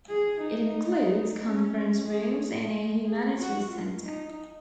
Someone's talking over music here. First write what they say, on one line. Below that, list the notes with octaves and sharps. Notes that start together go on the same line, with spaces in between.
It includes conference rooms and a humanities center.
G#4
D#4
C#4
G#4
G#4
F#4
F4
D#4